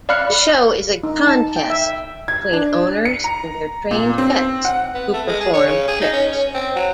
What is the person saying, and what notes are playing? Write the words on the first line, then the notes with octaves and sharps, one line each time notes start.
The show is a contest between owners and their trained pets who perform tricks.
D5 F5 B5 F6 F#6 C#7
D#4
A5
G5
E5
G#6
D4
C#7
A#5
A#2
C4
F#5
B3
A3
G#3
G#4
C#5
C#3
G#4
D#4
C#4
C#4
C4
F#3